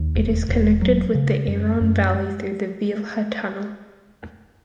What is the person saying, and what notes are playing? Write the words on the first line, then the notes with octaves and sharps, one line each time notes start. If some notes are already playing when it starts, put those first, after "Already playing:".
It is connected with the Aran valley thorough the Vielha tunnel.
Already playing: D#2
E1
E1
F#3
C#3
F#2
F#2
G#3